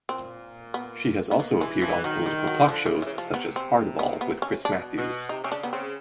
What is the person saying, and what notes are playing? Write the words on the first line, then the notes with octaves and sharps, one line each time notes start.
She has also appeared on political talk shows such as "Hardball with Chris Matthews".
A#2 C4
B3
B3
B2 A#3
F3
E3 G#3
E3 F3
D#3 F#3
G3
F#3
D3 F3
E3
C#3
C#3 E3
C3
F3
B3
C4
B3
B3
C#4
B2 D4
B2
C3 D#4
C3 C#4
C#3 D4
C3 B3
C#3 C4